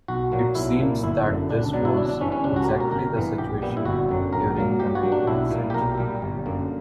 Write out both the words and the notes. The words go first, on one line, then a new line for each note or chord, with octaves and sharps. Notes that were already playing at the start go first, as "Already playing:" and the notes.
It seems that this was exactly the situation during the nineteenth century.
B1 F#4
A#2 F#3 A#3
B1 E4
A#2 A#3
G1 E4
F#2 D3
C#2 D4
B2 F#3 B3 D4
E4
G1 D4
D4
G2 E3 G3 C#4
C#4
C#2 D4
F#4
A#4
B2 A#3 G4
A#4
G1 A#4
G2 E3 B3
A#1 G4
A#2 G3 B3
E4
G1 F#4
F#2 D3 F#3
A#1 A#4
A#2 F#3 A#3
G2 G4
F#4
F#3 A#3
D4
B1 E4
A#2 A#3
G4
B1 A#4
A#2 G3
G1
F#2 D3 A#3